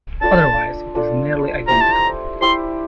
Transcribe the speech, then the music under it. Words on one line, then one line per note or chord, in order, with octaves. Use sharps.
Otherwise it is nearly identical.
D4 F4 A4 D5 A5
D4 F4 A4 D5
E4 G4 C5 A#5
A5
A#5
E4 G4 C5 C6